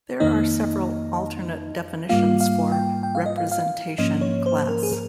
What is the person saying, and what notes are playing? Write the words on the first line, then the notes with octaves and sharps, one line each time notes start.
There are several alternate definitions for "representation class".
F2 D#3 A#3 D#4 D#5
G#2 G3 A#3 F4 F5
F5
G5
G5
F5
D#5
F5
F5
G#2 F3 A#3 C#4 D#5
C#5
C5
A#4
G#4
A#4